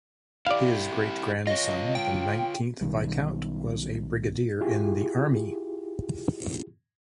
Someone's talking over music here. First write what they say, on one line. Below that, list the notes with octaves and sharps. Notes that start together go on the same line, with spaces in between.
His great-grandson, the nineteenth Viscount, was a Brigadier in the Army.
E4 G4 D5 F5
F4 C#5 D#5
G5
B1 B2 D#3 G3
E4 F4 G4 G#4